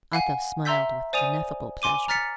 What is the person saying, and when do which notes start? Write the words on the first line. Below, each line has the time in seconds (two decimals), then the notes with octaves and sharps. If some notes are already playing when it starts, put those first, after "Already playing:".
Athos smiled with ineffable pleasure.
0.13 F5 F#5 G#5
0.65 E5 A#5 C6 E6 G6 B6
1.13 C5 D5 G#5 D#6 D#7 F7
1.82 G#5 C6 D6 D#7
2.08 A#5 F6 A6 B6 C#7